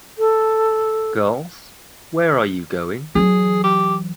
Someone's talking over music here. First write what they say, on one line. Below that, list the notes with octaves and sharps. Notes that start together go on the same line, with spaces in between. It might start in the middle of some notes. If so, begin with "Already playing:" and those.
Girls, where are you going?
A4
E3 F#3 G#4
G4